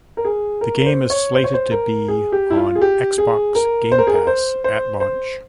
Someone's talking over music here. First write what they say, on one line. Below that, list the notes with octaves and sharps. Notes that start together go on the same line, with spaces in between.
The game is slated to be on Xbox Game Pass at launch.
A#4
G#4
A#4
A#4
C5
C#5
C5
C#5
C5
A#4
G#4
G4
E4
F4
G#4
G4
G#4
A#4
C5
A#4
G#4
A#4
C5
C5
C5